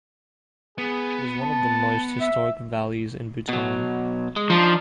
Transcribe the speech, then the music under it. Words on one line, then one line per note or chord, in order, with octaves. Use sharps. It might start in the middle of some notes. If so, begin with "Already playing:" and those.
It is one of the most historic valleys in Bhutan.
B3 G#4
A5
E5
B2 F#3
G#3
F3 D4 D#4